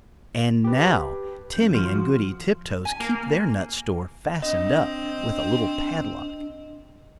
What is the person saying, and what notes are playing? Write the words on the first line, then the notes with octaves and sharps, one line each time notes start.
And now Timmy and Goody Tiptoes keep their nut store fastened up with a little padlock.
G4 B4
F#2 G6
F3 F#4
G#5
A#3
C4 D4 D#5